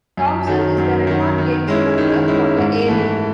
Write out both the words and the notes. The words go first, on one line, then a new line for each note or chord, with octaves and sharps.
Thompson is the record games holder for the A- league.
F#2
D#3 F#3
F#2
D#3 F#3
D#3
G#3 C#4 E4
D#3
G#3 C#4 E4
G#2
E3 A3